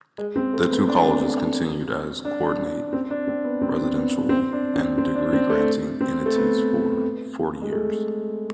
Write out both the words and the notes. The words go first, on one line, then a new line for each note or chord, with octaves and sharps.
The two colleges continued as coordinate residential and degree-granting entities for forty years.
G#3
C4
A3
B3
D4
D4
C4
D4
C4
B3
C4
D4
C4
B3
C4
D4
C4
C4
D4
C4
A3
C4
A3
B3
G#3
A3